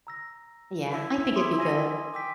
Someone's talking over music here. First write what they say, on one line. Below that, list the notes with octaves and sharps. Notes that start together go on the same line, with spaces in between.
Yeah, I think it'd be good.
A#5 E6 A#6
E4
C6 D6 D#6
G#5 A#6 D#7
G5 D6 E6 B6